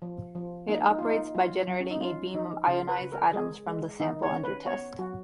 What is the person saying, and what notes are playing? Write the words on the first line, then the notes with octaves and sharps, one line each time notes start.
It operates by generating a beam of ionized atoms from the sample under test.
F3
F3
A#3 D#4
D#4
F4
A#3 D#4
D#4
F#3 F4
F#3
C#4
D#4
C#4 F4
F3 D#4
C#3 F4
B4
C#3
A#4
G#3 G#4
G#3
D#3 D#4
C#5
C#4
B4
B3 C#5
F#3 F#4